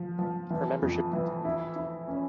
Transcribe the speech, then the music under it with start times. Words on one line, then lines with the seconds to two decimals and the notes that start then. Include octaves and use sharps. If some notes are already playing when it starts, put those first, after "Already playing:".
Her membership continued until her death.
Already playing: F3
0.19 F3
0.50 E3
0.82 F2
1.13 E3
1.45 E4
1.76 E4
2.08 C#4